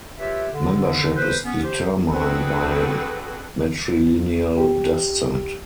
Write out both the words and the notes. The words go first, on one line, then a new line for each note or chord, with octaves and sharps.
Membership is determined by matrilineal descent.
F4 G4 B4 C#5 E5
D3
B4 C5
B3 C#4
G4 C5
C4 D4 F#4 G#4 A4 B4
G4